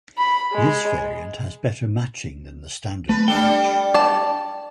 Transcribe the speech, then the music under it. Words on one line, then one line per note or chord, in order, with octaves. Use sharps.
This variant has better matching than the standard patch.
B5
G#3
A3 B4
G3 D4 A4 G5
D5 A5